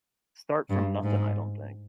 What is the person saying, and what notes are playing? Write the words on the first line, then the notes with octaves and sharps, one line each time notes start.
start from nothing, I don't think.
G2
G#2